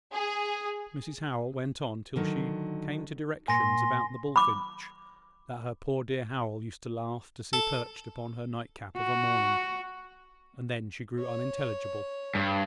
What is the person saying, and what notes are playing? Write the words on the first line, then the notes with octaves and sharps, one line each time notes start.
Mrs Howell went on till she came to directions about the bullfinch that her poor dear Howell used to laugh to see perched upon her nightcap of a morning; and then she grew unintelligible.
G#4
D3 D#3 F#3
A#2 G#5 C6 A#6
B5 D6
A4
F#4
C#5
G2